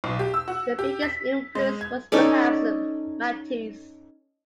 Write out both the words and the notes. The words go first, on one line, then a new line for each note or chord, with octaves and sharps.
The biggest influence was perhaps Matisse.
B1
G4
E6
F#4
G4
B6
G#3
G#6
C#4 D#4 A4 D5